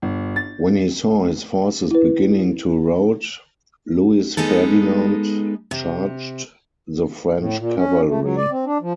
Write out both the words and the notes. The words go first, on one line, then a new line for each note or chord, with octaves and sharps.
When he saw his forces beginning to rout, Louis Ferdinand charged the French cavalry.
G1
A6
E4 B4
G#3 B3 D#4 A4
C3
A2
A#2
C#4
A3
F#3
D5
C4
D4
F3